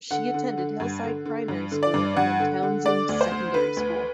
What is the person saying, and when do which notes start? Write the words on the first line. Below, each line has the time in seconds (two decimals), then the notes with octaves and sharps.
She attended Hillside Primary School and then Townsend Secondary School.
0.11 D3 F#5
0.34 D3
0.57 D3
0.80 G2
1.03 D3
1.25 D3
1.48 G2
1.72 D3
1.83 D5
1.94 G2
2.16 G2 F#5
2.40 D3
2.63 D3
2.86 D3 D5
3.09 D2
3.21 C5
3.32 D2
3.54 D3 B4
3.77 D2